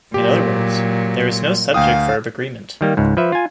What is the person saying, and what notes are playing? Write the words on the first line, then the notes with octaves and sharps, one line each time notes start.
In other words, there is no subject-verb agreement.
A#2 F#3 G4
D2 F5 G5 D#6
D#3 G3 A#3
C#2 G#2
F3 B4 E5
F4 G#5